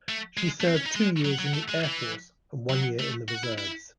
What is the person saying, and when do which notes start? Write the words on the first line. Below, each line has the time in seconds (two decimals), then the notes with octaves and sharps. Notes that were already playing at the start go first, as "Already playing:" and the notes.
She served two years in the Air Force and one year in the reserves.
0.09 A3
0.37 G#3
0.60 A3
0.66 C4
0.76 C#4
0.86 D#4
0.95 G#3
1.25 F#3
1.39 F#3
1.54 A3
1.69 G#3
1.83 E3
2.70 F#3
2.99 A3
3.28 F#4
3.44 E4
3.58 E4